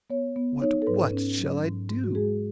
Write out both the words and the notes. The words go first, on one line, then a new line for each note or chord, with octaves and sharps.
'What, what, shall I do!'
B3 C#5
B3
D#4 C#5
A4
G#2 B4
C#4
F#3
G#2
G#2
F#4
G#3 G#4